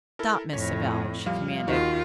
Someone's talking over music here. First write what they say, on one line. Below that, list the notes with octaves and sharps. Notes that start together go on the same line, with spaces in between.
"Stop, Miss Savell," she commanded.
E4 A4 A#4
F2 A2 C#5
F3 G3 F5
D#2 D#3 D#4 F4 F#4